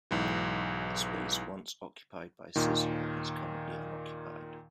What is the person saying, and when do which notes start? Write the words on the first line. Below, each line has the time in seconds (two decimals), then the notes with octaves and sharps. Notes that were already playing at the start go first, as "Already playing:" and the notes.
The space once occupied by Sizzler is currently unoccupied.
0.11 B1 G#2 E3
2.56 D#2 A#2 D#3